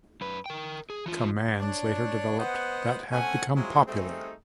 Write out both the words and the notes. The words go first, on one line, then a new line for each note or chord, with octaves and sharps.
Commands later developed that have become popular.
F#2 B4
A#4 G5
G#4
E3 F4
D4 C#5
B3 C5 D#5 F#5
A3 C4 C#4 F#5 G#5
F#3 G#3 C4 E4 F4 G#4
G3 A3 C4 D#4 G#4